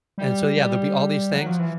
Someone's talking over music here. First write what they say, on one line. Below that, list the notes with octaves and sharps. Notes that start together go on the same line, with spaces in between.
And so yeah, there'll be all these things,
G3
G3
F#3
F3
E3